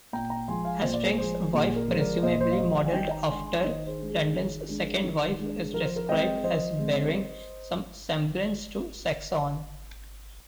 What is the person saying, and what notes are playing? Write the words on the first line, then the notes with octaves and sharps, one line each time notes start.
Hasting's wife-presumably modeled after London's second wife-is described as bearing some semblance to Saxon.
A#2 G5 A#5
G5 A#5
F3 G#3 G#5 C6
F5 G#5
A#2 C5
D5
G#4 C5
F3 G#3 G#4 C5
A#2 G#4
A#4
F3 G#3 C5
A#4 D5
A#2 C5 D#5
C5 D#5
F5
F3 G#3 C5 D#5
D5 F5
G#5
D#3 D#5 G5
G5 A#5
G#3 D4 G#5 C6
G#5 C6
D#3 C5 D#5
G#4 C5
G#3 D4
G#4
D#3
G#3 D4
D#3
G#3 D4
F3 A#4
C5
A#4
G#3 C4 D#5 G5
F3 C5 D#5
G#3 C4